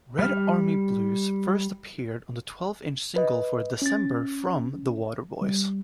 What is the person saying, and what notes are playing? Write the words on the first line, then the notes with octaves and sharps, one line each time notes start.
"Red Army Blues" first appeared on the twelve-inch single for "December" from "The Waterboys".
G3 F6
B4 D#5
C#4 A6
G3